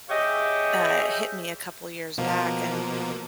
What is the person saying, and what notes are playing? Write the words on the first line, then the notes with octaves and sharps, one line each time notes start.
I uh, hit me a couple years back and
G4 G#4 C#5 D#5 E5 G5
B2 F3 A#3